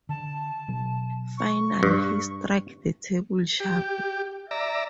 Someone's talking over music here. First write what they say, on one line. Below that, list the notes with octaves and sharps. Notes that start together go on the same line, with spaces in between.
Finally he struck the table sharply.
D3 A5
B2 F#3
C#6
G2
G4
D5 E5 A#5